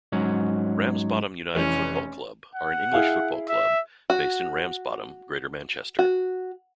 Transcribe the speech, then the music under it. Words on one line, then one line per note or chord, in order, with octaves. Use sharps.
Ramsbottom United Football Club are an English football club based in Ramsbottom, Greater Manchester.
G#2 F#3 C#4
F1 E3 C#4
F#5
E4 G#4 F5
E5
F#4
F#4